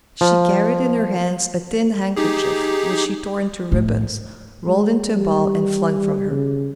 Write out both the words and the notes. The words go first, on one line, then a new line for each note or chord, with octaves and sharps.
She carried in her hands a thin handkerchief, which she tore into ribbons, rolled into a ball, and flung from her.
F3
D#4 G4 G#4
A2
G#3
G3
C#3